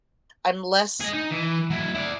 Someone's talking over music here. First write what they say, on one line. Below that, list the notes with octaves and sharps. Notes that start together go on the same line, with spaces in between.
I'm less,
G#4 D#5
D#4
E3
F#3 E4
E4 D5